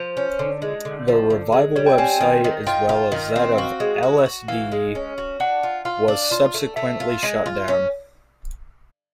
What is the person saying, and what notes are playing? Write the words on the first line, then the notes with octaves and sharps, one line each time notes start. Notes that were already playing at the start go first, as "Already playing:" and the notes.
The revival web site, as well as that of "Ellesdee", was subsequently shut down.
Already playing: F3 C5
C#4
D3
G#3
D3
F3
D3
G#3
G3 C#5
G5
C4 G#5
G5
D#3
D#3
F4 G5
F4
D#3
C4
F#4 F5
G#3
F#4
F#4
E3 F5
G#3
C#4
F#4
D4 F#5
F4
F4 F5
D4
F4
A3
A3 E5
F4
G#3
F4
C#4